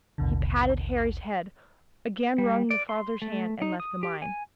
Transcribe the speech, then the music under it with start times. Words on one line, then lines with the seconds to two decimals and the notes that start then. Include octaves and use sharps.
He patted Harry's head, again wrung the father's hand, and left the mine.
0.18 A1 D#2 B2 D3
2.38 G3
2.70 D5
2.89 C6
3.22 A3
3.62 D#4
3.80 D#6
4.03 G4
4.22 G#5